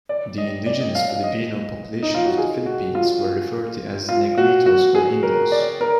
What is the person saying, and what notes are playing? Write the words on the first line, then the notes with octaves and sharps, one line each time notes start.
The indigenous Filipino population of the Philippines were referred to as Negritos or Indios.
D5
D#5
D5
D#5
F5
F5
D#5
D#4
F4
F#4
G#4
F#4
F4
F4
F#4
F#4
G#4
A#4
D5
A#4